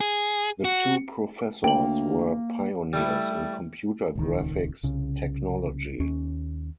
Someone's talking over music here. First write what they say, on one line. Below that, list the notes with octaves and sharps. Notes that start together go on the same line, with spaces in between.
The two professors were pioneers in computer graphics technology.
G#4
F#4
D2 A#3 G5 F#7
G3 A3 E4
D#1 C#2 D#3
C2 C#3
D#2 C#4